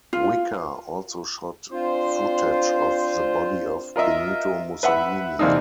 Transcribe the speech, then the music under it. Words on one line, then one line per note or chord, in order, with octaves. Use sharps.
Whicker also shot footage of the body of Benito Mussolini.
F4
C4 D4 F4 C5
F4 A#4 D#5 E5
B4 E5 F#5 B5
E2 C3 A#3 D4 D#4